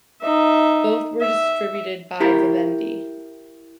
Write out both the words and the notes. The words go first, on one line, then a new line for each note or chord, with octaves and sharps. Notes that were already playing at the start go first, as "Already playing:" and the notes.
Both were distributed by Vivendi.
D#4 E5
E5
E4 G4 A#4